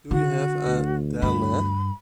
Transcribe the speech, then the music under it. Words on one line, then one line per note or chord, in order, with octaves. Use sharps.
Do you have a Delna?
D3 F#4
D2
G2 B5